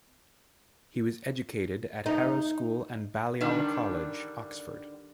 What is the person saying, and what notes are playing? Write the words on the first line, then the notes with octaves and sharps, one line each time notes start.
He was educated at Harrow School and Balliol College, Oxford.
D#4
D3 D#3 G3 D4